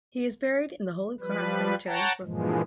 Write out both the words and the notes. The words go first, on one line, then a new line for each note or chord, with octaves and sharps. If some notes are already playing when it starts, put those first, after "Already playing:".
He is buried in the Holy Cross Cemetery, Brooklyn.
F3 G3 B4
C#5 F#5 G5 A5 A#5
G2 A#2 E3 F3 G#3